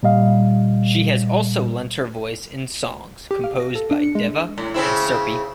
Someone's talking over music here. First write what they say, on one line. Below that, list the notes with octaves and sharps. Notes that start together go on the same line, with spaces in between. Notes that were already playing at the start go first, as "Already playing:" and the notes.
She has also lent her voice in songs composed by Deva and Sirpy.
A#2 G3 D#5 F5
G4
F5
A#6
A4
D4
C#7
G#3
A2
C#3 C4 E4